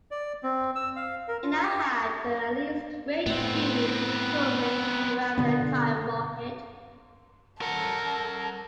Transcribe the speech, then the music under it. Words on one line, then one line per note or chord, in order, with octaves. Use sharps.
It now had at least Grade B coverage throughout the entire market.
D5
C4
E6
F5
A#4
F4
G4
A2 B3 C4
B2 D3 B3
A4 A#4 F#5